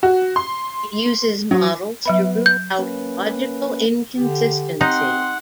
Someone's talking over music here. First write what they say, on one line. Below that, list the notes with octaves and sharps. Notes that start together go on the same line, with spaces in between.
It uses models to root out logical inconsistency.
F#4
C6
F#3
F#3 B3 B4 E5 B5
G6
A#3 C#4 B4
D3 G4
C4 D#4 F#5 C6